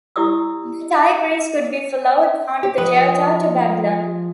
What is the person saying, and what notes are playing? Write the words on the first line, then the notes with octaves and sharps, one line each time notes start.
The Tigris could be followed down to the delta to Babylon.
E4 G4 D5 D#6 E6
G4
F3 B4 D#5